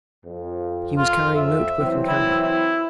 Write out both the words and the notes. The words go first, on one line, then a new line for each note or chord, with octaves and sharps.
He was carrying note-book and camera.
F2
F4
E5
E3 F#3 C4
E4
E4